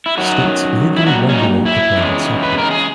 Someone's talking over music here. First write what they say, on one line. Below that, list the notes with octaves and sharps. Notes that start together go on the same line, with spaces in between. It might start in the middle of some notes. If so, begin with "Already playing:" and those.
States legally regulate the private sector.
E4
F#2 D#3 F#3 F#4
E4
A#2 F#3 F#4
C#4
D#4
E4
E2 C#3 G#3
B4
A#4
G#4